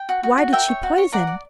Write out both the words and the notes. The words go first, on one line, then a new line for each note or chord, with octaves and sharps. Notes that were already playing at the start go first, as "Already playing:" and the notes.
'Why did she poison?
Already playing: G5
F#4
F#4
F#4
A#4 E5 G5
C#5
F#4
C#5
D5 F#5 A#5
D5